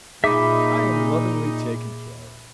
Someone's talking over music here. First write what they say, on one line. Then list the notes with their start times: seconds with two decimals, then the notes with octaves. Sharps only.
I am lovingly taken care of.
0.24 A#2 D#4 G#4 E5 B5 D6